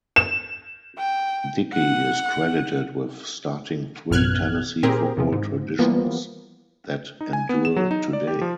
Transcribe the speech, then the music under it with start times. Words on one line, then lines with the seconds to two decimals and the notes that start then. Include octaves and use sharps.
Dickey is credited with starting three Tennessee football traditions that endure today.
0.16 E7
0.98 G5
1.74 F#5
4.11 A1 F#2 B2 F6 F#6 G#6
4.83 A#2 C4 G4 G#4 A#4
5.17 E2 C3 F3
5.32 G#2
5.79 E3 F3 G3 A#3 B3
7.21 D#4
7.33 G#5
7.49 B3
7.65 E7
7.76 F#3
7.91 D#4
8.13 D5
8.28 G4
8.41 F3